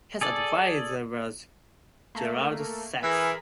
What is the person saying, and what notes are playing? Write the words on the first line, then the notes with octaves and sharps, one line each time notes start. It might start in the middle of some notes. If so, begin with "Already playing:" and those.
His advisor was Gerald Sacks.
G#4 A4 D5
A3 A#3
E3 G#4 A#4 B5